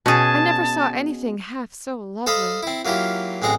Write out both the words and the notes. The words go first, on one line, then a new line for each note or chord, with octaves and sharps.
"I never saw any thing half so lovely."
B2 C#4 G#4 A5
A4 C5 D#5 F5 A5 B5
C4 E4
F#3 A#3 E4 F4 G4
A1 G#3 C4 F#5 A#5